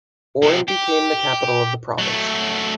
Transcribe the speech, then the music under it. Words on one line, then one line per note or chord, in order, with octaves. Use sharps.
Oran became the capital of the province.
C3 F3
G4
F#3 A3